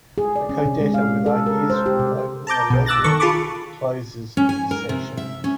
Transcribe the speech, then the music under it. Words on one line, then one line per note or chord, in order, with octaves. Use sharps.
A codetta, with ideas from the opening allegro, closes the section.
G#4
D5
C#4
C3
G#3
F5
A4
A#4
C5
G4
C3
A5 A#5 D6 G6
B1 B2
D6 E6 F#6 A6 A#6
D#3 A4 C#6
F4 G#4 A5 B5 C#6 D6
C#4
G#5
A#4
C3
E5
C#4